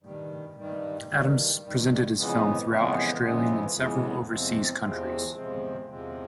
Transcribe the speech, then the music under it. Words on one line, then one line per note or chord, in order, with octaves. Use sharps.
Adams presented his film throughout Australian and several overseas countries.
G2 D#3 G3
G2 D#3 G3
G2 D#3 G3
G2 D#3 G3
F2 C#3 E3 G#3 B3
F2 C#3 E3 G#3 B3
F2 C#3 E3 G#3 B3
F2 C#3 E3 G#3 B3
E2 C3 F3 G#3 C4
E2 C3 F3 G#3 C4
E2 C3 F3 G#3 C4
E2 C3 F3 G#3 C4